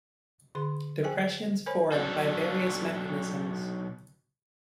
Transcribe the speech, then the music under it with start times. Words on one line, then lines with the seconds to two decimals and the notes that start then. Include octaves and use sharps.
Depressions form by various mechanisms.
0.55 D3 G#4 C6
1.03 F3 G#4 C5 G5 G#5
1.66 A#4 C5 C#5 G#5 B5
1.92 B2 F#3 D4 A4